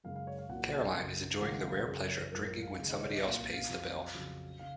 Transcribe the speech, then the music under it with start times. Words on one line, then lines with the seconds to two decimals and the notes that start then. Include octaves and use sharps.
Caroline is enjoying the rare pleasure of drinking when somebody else pays the bill.
0.04 F#2 C#3 G#3 F5
0.16 F5
0.27 C#5
0.38 F5
0.49 C2 A#2 F#3 F#5
0.96 F#2 C#3 F#3
1.40 D#2 C#3 F3 G#3 F5
1.52 F#5
1.64 F5
1.75 A#4
1.86 F#2 C#3 F#3 G#4
1.98 A#4
2.09 C#5
2.21 C#5
2.32 F#2 F3 G#3 A#4
2.47 A#4
2.62 F5
2.78 D#2 C#3 G#3
2.89 D#5
3.00 C#5
3.12 D#5
3.23 C2 A#2 F#3 F5
3.53 F5
3.69 F2 C3 F#3
4.14 F2 C#3 F#3
4.59 C#3 F5